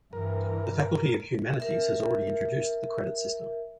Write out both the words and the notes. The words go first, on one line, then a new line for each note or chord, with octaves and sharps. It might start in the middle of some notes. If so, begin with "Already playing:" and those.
The Faculty of Humanities has already introduced the credit system.
G2 E3 A#4
A#4 E5